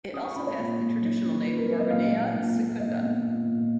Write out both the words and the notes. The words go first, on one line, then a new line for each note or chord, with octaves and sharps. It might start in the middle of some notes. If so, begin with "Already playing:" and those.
It also has the traditional name Gorgonea Secunda.
C#4 D#6
C#6
C#4 B5
C#5
A#2
A#2
F#3
C#4
F#3 B4
A#4
F#3 B4
D#5
A#2 F5
A#2
A#2
A#2
A#2 D#5
B3
A#2
A#2